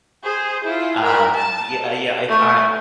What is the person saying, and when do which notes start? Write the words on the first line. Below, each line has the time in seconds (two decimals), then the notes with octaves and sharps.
um, yeah, uh, yeah, if I
0.23 G#4 C5
0.64 E4 F4
1.02 A#4 B5
1.34 A5
1.79 A4
2.28 A3